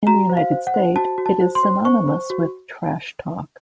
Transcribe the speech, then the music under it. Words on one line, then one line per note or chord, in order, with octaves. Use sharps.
In the United States, it is synonymous with "trash talk".
F#4 A#5
C5
F5
C5
F#5
C5
F#4 A5
F#4
A5
C5
C6
C5
C5 C#6
C5
F#4